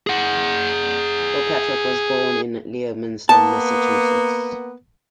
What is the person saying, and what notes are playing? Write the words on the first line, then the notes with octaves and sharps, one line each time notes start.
Kirkpatrick was born in Leominster, Massachusetts.
G#4 F#5
A#3 B3 A5